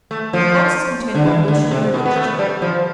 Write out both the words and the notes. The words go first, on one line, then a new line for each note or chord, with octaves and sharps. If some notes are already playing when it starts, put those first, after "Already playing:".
Your boxes contain revolutionary literature.'
A3
F3
D3
E3
D3
C3
B2
B3
A3
G3
F3